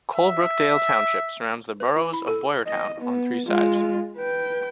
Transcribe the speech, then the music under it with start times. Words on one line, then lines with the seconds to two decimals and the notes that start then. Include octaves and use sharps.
Colebrookdale Township surrounds the borough of Boyertown on three sides.
0.16 E5
1.80 B4
1.96 E4
2.13 B5
2.28 A4
2.67 D#5
3.01 B3
3.47 G#3 F4
4.17 B4 G5